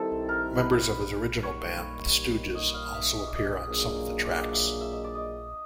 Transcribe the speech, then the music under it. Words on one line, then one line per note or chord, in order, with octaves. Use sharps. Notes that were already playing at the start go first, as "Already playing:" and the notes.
Members of his original band The Stooges also appear on some of the tracks.
Already playing: D#3 G3 C4 E4 G4 A4
A#4
B4
D#3 G3 A#3 D#4 G4 C#5
D#5
F5
E5
E5
D#5
D5
D#5
F#3 A#3 D4 F4 G#4
D5
D#5
E5
E5
D#5
D5
D#5